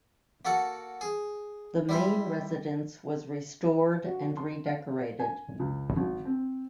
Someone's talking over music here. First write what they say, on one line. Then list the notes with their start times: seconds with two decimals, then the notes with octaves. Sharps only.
The main residence was restored and redecorated.
0.45 A#3 F#4 A4 F#5
1.01 G#4
1.89 G3 E4 C5
4.06 F#4
4.37 C6
4.66 F5
5.19 G#5
5.59 C#2
5.96 G#1
6.25 C4